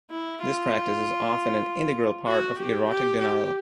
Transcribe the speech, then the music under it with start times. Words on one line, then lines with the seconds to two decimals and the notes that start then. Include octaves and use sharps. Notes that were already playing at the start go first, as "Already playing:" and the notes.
This practice is often an integral part of erotic denial.
0.10 E4
0.41 F4
2.27 F#4
2.58 G4
2.89 G4
3.20 G4